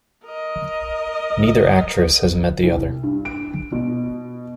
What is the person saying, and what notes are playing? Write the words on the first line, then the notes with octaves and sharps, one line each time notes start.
Neither actress has met the other.
A#4 D#5
C2
G2
D7
B2